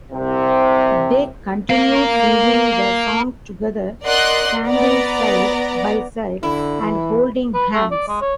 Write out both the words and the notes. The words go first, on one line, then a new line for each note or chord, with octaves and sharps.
They continue singing the song together, standing side by side and holding hands.
C2 C3
A#4 F5
A#4 D5 D#5 F#5 C6 F#6
B3 D5 A#5
D3 E4
E3
B4
A3
D5
G#3
C#5